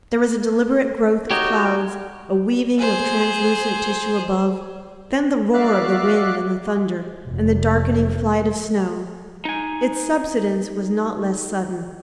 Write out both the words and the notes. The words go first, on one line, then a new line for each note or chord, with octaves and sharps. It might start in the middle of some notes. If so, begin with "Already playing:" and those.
There was a deliberate growth of clouds, a weaving of translucent tissue above, then the roar of the wind and the thunder, and the darkening flight of snow. Its subsidence was not less sudden.
D#4 F#4 G4 C#5
G#4 C5
F#4 D5 E5 F5 D6 F#6
F1
D#4 G#5